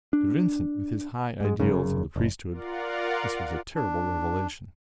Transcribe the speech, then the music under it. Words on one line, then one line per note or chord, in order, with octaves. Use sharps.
To Vincent, with his high ideals of the priesthood, this was a terrible revelation.
D4
G#2 G#3
F1 F#2 C#3
F#1
F4 A#4 D5 F5 F#5
D4